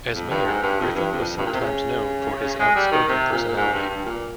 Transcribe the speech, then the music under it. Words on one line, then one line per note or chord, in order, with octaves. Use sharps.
As Mayor, Griffin was sometimes known for his outspoken personality.
F2
G2
G#2
G2
F2
G2
F2
G2
A#2
C3
C#3
G#3
G3
D#3
C3
A#2
A#2
G#2
G2
G2
A#2